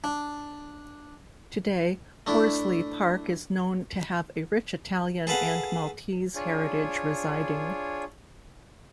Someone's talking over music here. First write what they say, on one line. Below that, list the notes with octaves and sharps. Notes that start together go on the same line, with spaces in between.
Today, Horsley Park is known to have a rich Italian and Maltese heritage residing.
D4
A3 D4 E4
G#4 A4 B4 F5 F#5
D4 F4 G#4 C#5